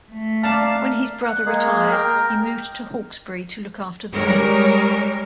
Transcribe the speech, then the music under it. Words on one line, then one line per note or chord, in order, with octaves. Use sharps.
When his brother retired, he moved to Hawkesbury to look after the mill.
A3
A#3 D4 F5 A5
F#5
G#3 A#3 G#4
A#4 G5 A#5
G3 G#3 A#4 C#5